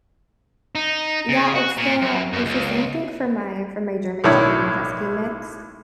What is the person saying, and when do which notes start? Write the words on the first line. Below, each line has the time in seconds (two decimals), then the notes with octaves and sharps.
Yeah, it's the it's the same thing for my for my German Shepherd and Husky mix,
0.75 D#4
1.29 C#3
1.55 F#4
1.78 A#2
2.02 F#2
2.33 F#2
2.45 C#2
4.24 B1 A2 D#3 D4 E4 C#5